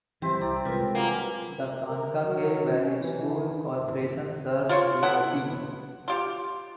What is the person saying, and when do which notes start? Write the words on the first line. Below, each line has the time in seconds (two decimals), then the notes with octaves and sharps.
The Kankakee Valley School Corporation serves DeMotte.
0.22 E3 G3 C4 E4 G4
0.41 C2 D5 A#5
0.65 C3 G#3 F4 A#4 B4
0.95 F#3 G3 A#3 G#5
1.88 A#4
2.25 F#3
2.69 C#4
3.00 E3
4.69 F4 C5 C#5
5.03 B3 E4 A4 F#5
6.08 F4 G4